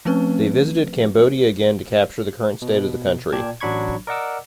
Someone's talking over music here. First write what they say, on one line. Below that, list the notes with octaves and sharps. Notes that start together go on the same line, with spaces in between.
They visited Cambodia again to capture the current state of the country.
F3 A3 C4 C#4 B4
B2
A#2 D5 G5 A5 G#6
A1 F#3 D4 B5 C#6 G#6
A#4 D5 D#5 F#5 D6 E6